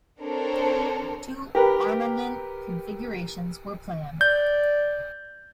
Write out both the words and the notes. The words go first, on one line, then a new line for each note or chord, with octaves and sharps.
Two armament configurations were planned.
C4 D4 A4 A#4 C5 C#5
G4 A#4 B4
D5 G6